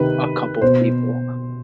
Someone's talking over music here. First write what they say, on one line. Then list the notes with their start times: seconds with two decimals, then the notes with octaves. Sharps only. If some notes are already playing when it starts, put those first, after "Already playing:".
a couple people,
Already playing: C3 D#3 B4
0.62 B2 C5